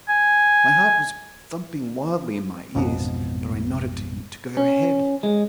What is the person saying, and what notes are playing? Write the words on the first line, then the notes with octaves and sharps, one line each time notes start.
My heart was thumping wildly in my ears, but I nodded to him to go ahead.
G#5
A1 F2 G#2 B2
C#4
G#3